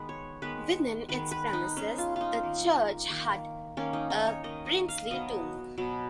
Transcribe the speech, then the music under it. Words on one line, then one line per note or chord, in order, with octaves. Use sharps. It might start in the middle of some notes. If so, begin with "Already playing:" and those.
Within its premises the church had a princely tomb.
Already playing: D#3 G#3 B3 B4
C#5
D#3 G#3 B3 B4
D#3 G#3 B3 B4
B4
D#4
D#3 G#3 B3 C#4
F4
D#4 F4
D#3 A#3
D#3 A#3
D#3 A#3 C#4
D#4
D#4
C#5
D#3 A#3 D#5
D#5
F5
B2 F#3 B3 D#5
B2 F#3 B3